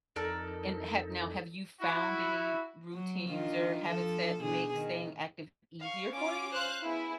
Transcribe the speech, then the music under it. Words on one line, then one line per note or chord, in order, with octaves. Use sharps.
and have now, have you found any routines or habits that make staying active easier for you?
F2 D#4 A4 A#4 D5
E4 F#4
F#3
D#3 D4 F4
F3 A4
B2 D3 G#4
D#3
F5 C#6
C#4 F4 D6
C5 F5 F#6
B3 E4 G#4